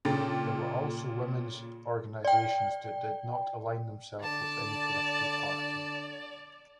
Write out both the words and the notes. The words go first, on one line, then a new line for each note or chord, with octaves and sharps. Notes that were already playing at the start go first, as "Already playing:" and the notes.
There were also women's organizations that did not align themselves with any political party.
A#2 C#3 A4 G5 A6
D5 G5
D3 D5 A5